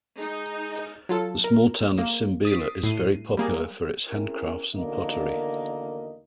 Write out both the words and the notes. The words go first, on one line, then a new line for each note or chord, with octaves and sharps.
The small town of Simbila, is very popular for its handcrafts and pottery.
G#3 D#4
F#3 F4 A4
A#4
A#3
D#6 A6 B6 C7 D7
A2 C7 D#7
G3 A#3 G#4
C4 C#4 E4 G#4 A#4
E2 D3 D#3 A#3 F#4 D#5